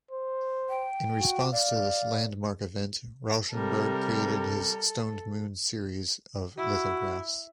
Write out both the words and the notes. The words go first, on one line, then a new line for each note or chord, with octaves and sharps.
In response to this landmark event, Rauschenberg created his "Stoned Moon Series" of lithographs.
C5
G5
F#4
D5 F5
C3 G3 A4 A#4
E4 F#4